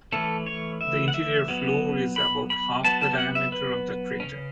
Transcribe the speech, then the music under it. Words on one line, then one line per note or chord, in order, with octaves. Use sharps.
The interior floor is about half the diameter of the crater.
E3 A3 C#4 A4
C#5
E5
F#5
E5
F#3 B3
B5
B5
F#3 B3 A5
A5
F#5
E5
B4
C#3 A3 C#4